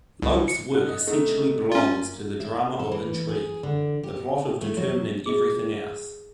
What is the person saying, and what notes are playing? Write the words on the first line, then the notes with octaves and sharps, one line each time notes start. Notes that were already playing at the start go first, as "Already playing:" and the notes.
Lope's work essentially belongs to the drama of intrigue, the plot determining everything else.
C2
C#7
D3 F#6
D#5
D#3 A3 D#4
A#3 C#4 F4
E5
A4
E3
G#4
D3
G4
A3
F#3
G#4 D#5